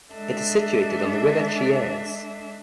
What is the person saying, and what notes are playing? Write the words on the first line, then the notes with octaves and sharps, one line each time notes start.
It is situated on the river Chiese.
G#3 D4 A4 D#5 E5